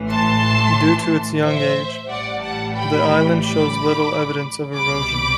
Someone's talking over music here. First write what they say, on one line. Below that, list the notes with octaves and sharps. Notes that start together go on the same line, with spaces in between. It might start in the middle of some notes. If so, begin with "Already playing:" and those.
Due to its young age, the island shows little evidence of erosion.
Already playing: A1 A2 E3
A5 C6
C5 E5
A1 A2 E3 G3 D5 F#5
F#5 A5
G5 B5
B5 D6
C2 B2 G3 B5 D6